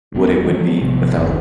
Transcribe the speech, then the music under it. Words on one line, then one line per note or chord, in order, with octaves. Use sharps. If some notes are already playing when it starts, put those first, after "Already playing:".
what it would be, without,
E1 B3
E3 F3 G#3
A1 C3 F3 B3
F#1 D#2